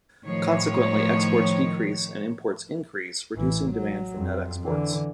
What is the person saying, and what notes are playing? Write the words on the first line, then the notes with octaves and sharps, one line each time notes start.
Consequently, exports decrease and imports increase, reducing demand from net exports.
A2 D#3 F3 C#5
A1 E3
F#3
F2
D3 E3